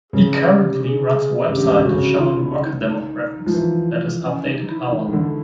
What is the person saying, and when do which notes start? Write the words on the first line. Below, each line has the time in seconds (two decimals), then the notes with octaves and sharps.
He currently runs a website showing worker demographics that is updated hourly.
0.12 C#3 G#4
0.47 G4
0.81 G#4
1.49 C#3 G4
1.56 D3
1.64 C#3
1.71 D3
1.79 C#3
1.84 D3 F#4
1.94 C#3
2.18 D#3 F4
2.40 E4
2.63 D#4
3.46 F3
3.53 E3
4.21 C#4
4.45 D#4
4.68 E4
4.91 D#3 E4
5.07 D#3
5.13 D3